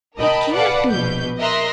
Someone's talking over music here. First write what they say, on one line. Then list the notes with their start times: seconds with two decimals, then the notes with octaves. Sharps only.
It CAN'T be.
0.17 A#4 D#5 G5 A5 B5
0.53 B4 D5 F5 F#5 A5 D6
0.90 A#1 B2 B4 G6
1.40 A#4 D#5 E5 C6 F#6 A#6